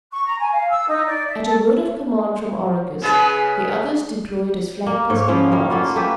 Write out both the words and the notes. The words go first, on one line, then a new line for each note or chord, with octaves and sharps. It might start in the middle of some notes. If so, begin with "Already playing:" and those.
At a word of command from Oracus the others deployed as flankers and guards.
C#6
A#5
G#5
F5
E6
D#4
D5
E5
A4
C#3 G#4 B4
A#3
G#2 C#5
F3 C#4 E4
G3 A#4
A3 A#3 F4 F#4
A3 A#3 G4 B4